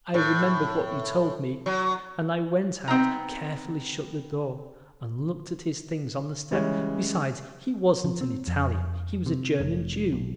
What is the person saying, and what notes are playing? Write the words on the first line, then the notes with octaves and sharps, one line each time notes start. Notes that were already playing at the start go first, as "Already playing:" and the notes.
I remembered what you told me, and I went out, carefully shut the door, and looked at his things on the step. Besides, he wasn't an Italian--he was a German Jew.
A2
F#3
B3 C4 D#4 A#5
C#3 E3 G3 G#3 C#4
F3
C4
F2
C3
F1
B1